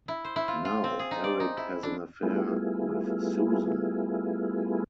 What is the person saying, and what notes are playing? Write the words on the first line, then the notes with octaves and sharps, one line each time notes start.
Now, Erik has an affair with Susan.
E4
C5
E4
F4
F4
C4
G#4
D#4
D5
D#4
E4
D4
G3 A3 B3 E4 F4 G#4